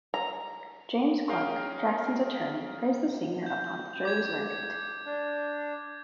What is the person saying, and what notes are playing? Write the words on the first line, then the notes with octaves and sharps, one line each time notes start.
James Klenk, Jackson's attorney, praised the singer upon the jury's verdict.
A#5
C#4 G#4 A#4 F5 G5 A#5
G6
D6 G#6
D6
D4